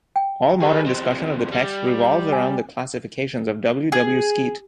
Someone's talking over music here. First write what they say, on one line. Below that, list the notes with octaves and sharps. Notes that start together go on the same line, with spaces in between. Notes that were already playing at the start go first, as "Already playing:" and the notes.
All modern discussion of the text revolves around the classifications of W. W. Skeat.
G5
G4 G#4 B4 D#5
E2 C4
G3
G#5
G#4